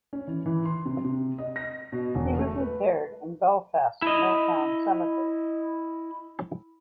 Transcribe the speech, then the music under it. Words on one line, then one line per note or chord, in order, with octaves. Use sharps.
He was interred in Belfast's Milltown Cemetery.
C#4
E3
E3
C6
C3
C3
D#5
A#6
B2
E1
A3
B4
E4 D#5